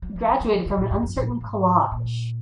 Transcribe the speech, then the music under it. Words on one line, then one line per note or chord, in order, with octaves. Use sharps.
He graduated from an uncertain collage.
F#3
F#3
F3
F#3
D#3
D3
A#2
F#2
F#2
A#2
G#2
A#2